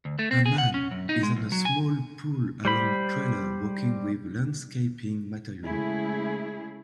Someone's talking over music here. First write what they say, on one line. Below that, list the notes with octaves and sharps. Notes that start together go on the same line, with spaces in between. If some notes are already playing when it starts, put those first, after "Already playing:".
A man is on a small pull along trailer working with landscaping material.
D2
A3
C4
G#4
F#5
C#4
F#2
D#4
G#3
B1
F#3
G#5
G3 C5 B5
C#3 G#3 A3 E4 G#4